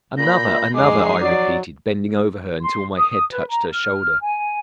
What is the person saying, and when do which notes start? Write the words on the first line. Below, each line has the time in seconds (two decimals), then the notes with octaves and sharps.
"Another, another!" I repeated, bending over her until my head touched her shoulder.
0.18 A#2 B5 G6 A#6
0.74 F2 G#3 D#4 D6 C7
1.21 F#3 D5 D6
2.61 C6
2.96 D#6
3.31 B4
3.50 A#5
3.72 F6
4.21 G#5